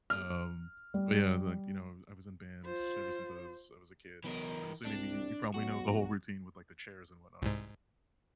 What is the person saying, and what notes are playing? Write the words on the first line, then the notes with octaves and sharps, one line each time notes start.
um, but, yeah, like, you know, I was in band ever since I was I was a kid, I'm assuming you you probably know the whole routine with, like, the chairs and whatnot.
F6
G3
F4 C5
B1 E3 A#4
C2 D4
B1 F#4
C2 G#2